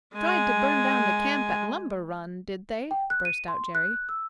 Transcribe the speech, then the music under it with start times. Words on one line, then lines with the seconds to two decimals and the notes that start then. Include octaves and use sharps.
"Tried to burn down the camp at Lumber Run, did they?" burst out Jerry.
0.14 G#3 G#5
2.91 G5
3.10 F#6
3.25 D#7
3.48 C6
3.75 F#6
4.09 E6